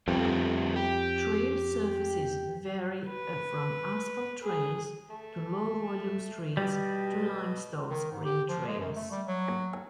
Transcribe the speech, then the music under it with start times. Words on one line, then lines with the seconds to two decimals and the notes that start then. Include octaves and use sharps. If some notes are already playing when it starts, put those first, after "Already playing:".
Trail surfaces vary from asphalt trails to low-volume streets to limestone screened trails.
0.08 F2 G3 A3 B3
0.76 G4
3.08 B4
4.43 G#4
5.10 A3
6.57 B2 G3
7.89 D#3
8.12 G#2
8.25 G4
8.49 F3
8.68 G#3
8.80 F#2
8.95 A3
9.11 G3
9.27 F#3